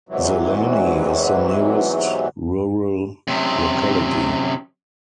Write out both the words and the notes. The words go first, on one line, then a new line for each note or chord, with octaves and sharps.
Zeleni is the nearest rural locality.
E2 G#2 C3 E3 F#3
F#2 C3